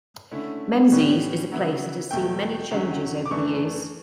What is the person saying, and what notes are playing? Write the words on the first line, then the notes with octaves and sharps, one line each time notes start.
Menzies is a place that has seen many changes over the years.
D3 A3 C#4 E4
A2 E3 G3 C#4
C#3 F#3 B3 E4
E2 B2 A3 E4 G5
E2 D3 F#3 C#4
D6
F#2 E3 A3 D4 C#6